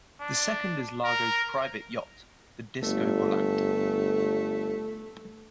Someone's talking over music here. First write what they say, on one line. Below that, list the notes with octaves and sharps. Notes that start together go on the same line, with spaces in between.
The second is Largo's private yacht, the "Disco Volante".
D4
A#4
G1 A3